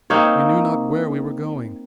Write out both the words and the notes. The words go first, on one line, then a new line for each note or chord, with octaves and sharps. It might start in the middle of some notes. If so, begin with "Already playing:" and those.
We knew not where we were going.
A#3 C4 D#4 C#5